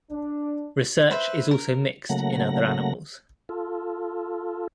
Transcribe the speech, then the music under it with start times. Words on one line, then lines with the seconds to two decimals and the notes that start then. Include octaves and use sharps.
Research is also mixed in other animals.
0.11 D4
1.11 B4 C5 E5
1.51 A#4
2.09 C#3 F#3 A3 A#3 F#5 A#6
3.49 F4 A4